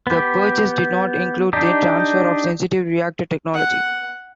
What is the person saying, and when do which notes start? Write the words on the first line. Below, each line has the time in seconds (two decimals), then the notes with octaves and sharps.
The purchase did not include the transfer of sensitive reactor technology.
0.07 B3 G4
1.53 D4 D#4 G4
3.54 F#5